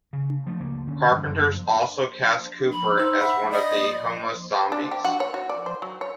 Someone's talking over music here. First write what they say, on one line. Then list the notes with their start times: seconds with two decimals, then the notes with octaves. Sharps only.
Carpenter also cast Cooper as one of the homeless zombies.
0.13 C#3
0.47 F3 A3
0.60 C#2 A#3
0.87 D3 C#4
1.11 G2 E3 G3 G#3
1.25 F#1 F#2 G3
2.72 B5
2.98 D#4 C5 E6
3.21 E5 F#5 B5
3.51 D5 D#5
4.72 D4
4.91 G4
5.05 F#4
5.20 C#5
5.34 F#4
5.49 D5
5.66 C5
5.82 F#3
6.01 C#5